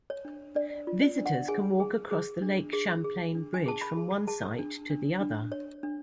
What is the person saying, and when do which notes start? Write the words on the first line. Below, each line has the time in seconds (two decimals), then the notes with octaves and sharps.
Visitors can walk across the Lake Champlain Bridge from one site to the other.
0.10 C#5
0.25 D4
0.55 D4 D5
0.87 F4
1.02 D5
1.18 D4
1.26 F#5
1.48 G#4 G#5
1.80 G#4
2.11 G#4
2.42 D4
2.73 G#4
3.04 G#4
3.35 D4
3.54 G#5
3.66 G#4 A5
3.81 B5
3.97 G#4
4.27 G#4 A5
4.59 D4
4.90 D4
5.21 D4
5.52 C#5
5.83 D4